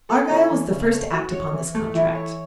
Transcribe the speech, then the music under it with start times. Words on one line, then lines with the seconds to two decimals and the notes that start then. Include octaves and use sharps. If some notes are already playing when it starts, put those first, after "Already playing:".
Argyle was the first to act upon this contract.
0.09 A4
0.30 C#4 A4
0.51 E3
0.71 C#3
0.92 A3
1.12 F#4
1.33 C#5
1.53 E3
1.75 A3
1.94 E3 E4
2.15 C#5